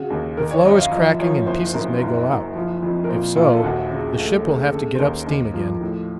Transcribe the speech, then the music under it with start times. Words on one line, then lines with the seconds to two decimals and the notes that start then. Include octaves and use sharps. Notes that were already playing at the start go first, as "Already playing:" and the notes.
The floe is cracking and pieces may go out--if so the ship will have to get up steam again.
Already playing: C#3 F#4
0.10 D#2
0.37 D#3 A#4
0.51 C#5
0.65 F#2 D#5
0.79 F5
0.92 F3 D#5
1.19 F3 C#5
1.46 F#1 C5
1.74 F#2 A#4
2.01 F#1
2.28 F#1
2.55 F3
2.82 F2
3.04 A#4
3.09 A#2 C5
3.36 A#1 F4
3.53 A4
3.63 D#2 F#4
3.91 C#3
4.18 A3
4.45 C#3
4.72 C#3 A4
4.95 C5
4.99 D#2 A#4
5.27 D#2
5.54 F3
5.81 A2